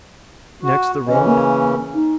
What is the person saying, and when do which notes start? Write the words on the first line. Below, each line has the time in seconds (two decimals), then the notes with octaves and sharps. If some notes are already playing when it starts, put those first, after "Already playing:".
"Next the road?"
0.63 F#4
1.07 C#3 E3 C#4 D#5
1.26 A#3
1.94 D#4